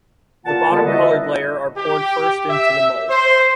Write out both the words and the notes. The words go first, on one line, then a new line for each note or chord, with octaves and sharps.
The bottom coloured layer are poured first into the mold.
E2 A#2 A#3 F4 F#5 A5
A#2 D3 G3 B3
D#4 E4 F#4 B4 D#5
G4
E5
C5